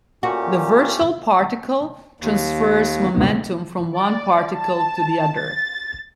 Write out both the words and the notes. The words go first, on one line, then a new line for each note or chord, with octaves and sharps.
The virtual particle transfers momentum from one particle to the other.
A#2 A3 C#4 F#4 G4
D#2
D5
A5
A6